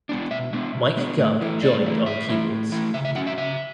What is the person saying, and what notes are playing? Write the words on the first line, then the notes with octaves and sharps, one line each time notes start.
Mike Gubb joined on keyboards.
G#3 B3 D4
B2 E5
G#3 B3 D4 E5
B2
G#3 B3 D4
A2
E3 A3 E4
A2 D5
E3 A3 E4
A2 E5
E3 A3 E4
A2
E3 A3 E4
C#3 E5
E5
F#3 C#4 F#5
E5
C#3 E5